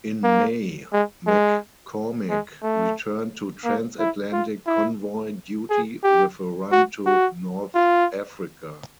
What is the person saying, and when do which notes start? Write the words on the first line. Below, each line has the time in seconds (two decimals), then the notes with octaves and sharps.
In May, "McCormick" returned to transatlantic convoy duty with a run to North Africa.
0.24 A#3
0.93 G#3
1.26 G#3
2.29 G#3
2.62 A3
3.64 A#3
3.99 E4
4.33 F4
4.67 E4
5.70 G#4
6.04 G4
6.72 F#4
7.06 F#4
7.75 F4